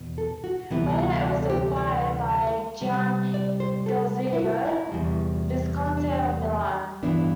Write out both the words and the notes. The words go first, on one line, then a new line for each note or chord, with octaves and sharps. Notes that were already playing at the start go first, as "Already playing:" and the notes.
Later it was acquired by Gian Galeazzo Visconti of Milan.
Already playing: E2 B2
A4
F#4
D2 C3 E3 G3 B3 E4
F#4
A4
G4
D5
C3 G3 C4
D5
C5
A4
E4
F#4
E4
E2 C3 G3
D4
G2 E3 B3 D4 E4